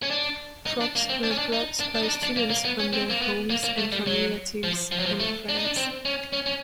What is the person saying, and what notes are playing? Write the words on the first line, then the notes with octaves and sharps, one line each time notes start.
Props were brought by students from their homes, and from relatives and friends.
C#4
D4
D#4
D4
A#3
C4
D4
C#4
D4
D#4
D4
D4
D#4
D4
D4
A#3
A#3
B3
C#4
C4
A#3
B3
A#3
A#3
A3
G3
F#3
F3
F3
F#3
F3
A3
D4
D#4
D4
C4
C#4
C#4
C#4